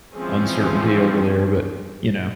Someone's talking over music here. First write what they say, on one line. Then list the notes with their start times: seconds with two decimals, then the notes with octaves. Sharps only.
uncertainty over there, but, you know,
0.14 E3 F3 G#3 C4 C#4 G#4